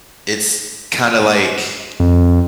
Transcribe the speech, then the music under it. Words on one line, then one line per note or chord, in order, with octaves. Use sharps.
it's kinda like,
F2